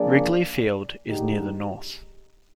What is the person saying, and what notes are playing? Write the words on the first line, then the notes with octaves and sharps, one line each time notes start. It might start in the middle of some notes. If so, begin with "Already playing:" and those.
Wrigley Field is near the north.
Already playing: F3 A#3 D4 G#4 D5
D#2 D3 G#3 D#4 G4